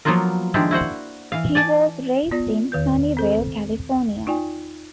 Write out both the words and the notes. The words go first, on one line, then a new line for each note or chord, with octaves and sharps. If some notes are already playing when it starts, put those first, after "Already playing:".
He was raised in Sunnyvale, California.
F3 F#3 A#3 B3 F4 A#4
D#3 F3 G#3 D4 E4 G4
E4 F#4 C5 F#5
E3 F5
D5 G#5 A5
B3 F4 D5 A#6
E2 D#3 B4 G6
C4 A4 C5
D#4 F4 D5 G5 G#5